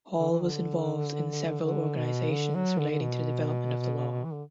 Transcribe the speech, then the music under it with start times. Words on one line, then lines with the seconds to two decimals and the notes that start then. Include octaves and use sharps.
Hall was involved in several organizations relating to the development of the law.
0.19 D3
0.31 E3
0.44 D3
1.61 D3
1.96 B2
2.31 D3
2.55 F#3
2.78 D3
2.90 D3
3.01 B2
4.24 E3
4.33 D3